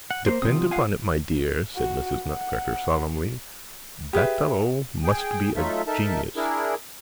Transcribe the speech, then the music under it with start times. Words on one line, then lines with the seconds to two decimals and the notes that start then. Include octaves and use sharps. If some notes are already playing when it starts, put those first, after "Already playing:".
"Depend upon it, my dear," said Mrs. Nutcracker solemnly, "that fellow must be a genius."
0.11 F#5
0.26 A#3 C5
0.42 E2 C3 F4 D#6
0.71 F5 F#5 G#5
1.76 F#4
2.26 F#5
4.13 G4 G#4 B4 E5
5.04 G#4 G5
5.56 F#3 A3 D#4 F4 A4 E5
5.87 D#4 A4 A#4 E5 A5
6.36 D4 E4 G#4 A#4